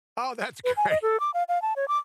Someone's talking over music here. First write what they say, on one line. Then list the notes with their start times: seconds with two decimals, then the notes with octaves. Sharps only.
Oh, that's great.
0.64 B4
0.77 G#5
0.90 D#5
1.02 A4
1.20 D6
1.34 F5
1.48 F5
1.62 A5
1.76 C#5
1.88 D6